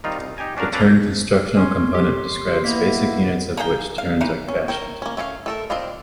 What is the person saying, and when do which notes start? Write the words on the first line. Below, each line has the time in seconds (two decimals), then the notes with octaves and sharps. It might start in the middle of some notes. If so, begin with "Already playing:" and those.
The turn constructional component describes basic units out of which turns are fashioned.
0.04 D#3 G3 C4 D#4 F4
0.21 C2
0.37 D#4 G4 G5 G#5 A#5
0.57 C#4 D4 F#4 A#4 F5
0.72 A#3 C#4 A4 B4 D5 F5
1.57 C#4 C#5 C6
1.95 G4
2.64 A#3 B3 E4 D#5 B6
3.57 A#3 D#4 G#4 G5
3.98 F5
4.21 E3 D#4 F5
4.48 C#4
4.68 A#4 C#5 G5
5.02 A#3 C#4
5.17 A3 C#4 A#4 F5
5.46 A3 A4 A#4
5.70 C4 D4 F4 D#5 F5